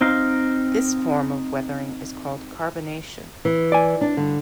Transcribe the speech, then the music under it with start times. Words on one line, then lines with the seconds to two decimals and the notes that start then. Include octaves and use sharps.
This form of weathering is called carbonation.
0.01 C4 D#4 F5
3.45 E3
3.72 D5 G#5
4.01 D4
4.17 G2 D3